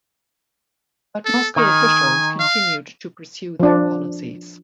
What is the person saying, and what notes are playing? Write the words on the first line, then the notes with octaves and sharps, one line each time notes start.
But Moscow officials continued to pursue their policies.
A4
D#3 G#5
F5
F3 D4